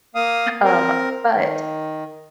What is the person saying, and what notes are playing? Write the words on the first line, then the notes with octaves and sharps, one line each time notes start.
um, but,
A#3 F5 D#6
C4 A#4
D#3